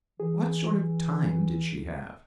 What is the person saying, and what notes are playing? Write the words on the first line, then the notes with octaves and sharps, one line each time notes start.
What sort of time did she have?
E3 G#4